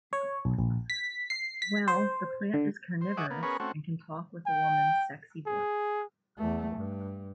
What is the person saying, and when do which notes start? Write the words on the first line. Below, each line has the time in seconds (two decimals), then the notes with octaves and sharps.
Well, the plant is carnivorous and can talk with a woman's sexy voice.
0.13 C#5
0.45 B1
0.59 A#1
0.90 B6
1.30 C7
1.62 B6
1.88 C5
2.54 D3
3.01 C5
3.17 G#4 C#5 D#5 E5 F#5 D6
3.30 A#3 B3
3.43 B3 C#4 G#4 A#4 B4 C#5
3.60 A3 C4 C#4 F#4
4.46 G5
5.46 G#4
6.38 E2 A3
6.76 G2